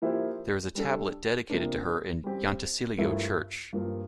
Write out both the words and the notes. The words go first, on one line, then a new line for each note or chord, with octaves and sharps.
There is a tablet dedicated to her in Llantysilio Church.
F3 A#3 E4 G4 C5
G3 D4 A4
C3 F3 A#3 D4
G3 C4 G4
G2 F3 A3 E4 A#4
G2 F3 A#3